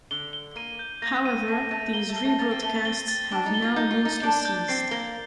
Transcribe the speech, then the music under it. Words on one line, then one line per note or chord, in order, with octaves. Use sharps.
However these re-broadcasts have now mostly ceased.
D3 G7
G7
A#3 D#7
G6
A#3 A#6
D#7
A3 D#7
A3 D#7
A#3 G7
A3
G7
A3
A#3 A6
C4
A3 G7
A#3
C4 G7
A6
D4 G7
D#4
G7
F4
D#4 G6
F4
G6
D#4
D4 G6
G6
C4 C7
A#3 G7